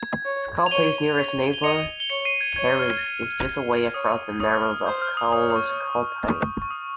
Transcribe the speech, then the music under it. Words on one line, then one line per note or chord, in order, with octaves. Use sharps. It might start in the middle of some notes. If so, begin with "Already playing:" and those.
Scalpay's nearest neighbour, Harris, is just away across the narrows of Caolas Scalpaigh.
Already playing: G#6
C#5
F7
C#5 D#7 G7
C#5
G7
D#5 C#7 F7
G7
C#5 C#7 F7
C7 D#7
G#6
C#5 G#6
F6
C#5 D#6
C#5 D#6
F6
F6
C5 G6
F6
D#6
C#5 D#6
D#6
C#6
C#6
D#6